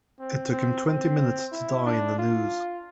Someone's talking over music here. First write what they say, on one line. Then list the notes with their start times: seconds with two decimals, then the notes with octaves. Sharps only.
It took him twenty minutes to die in the noose.
0.19 C4
0.52 C4
0.86 C4
1.52 E4
1.85 D4
2.18 F4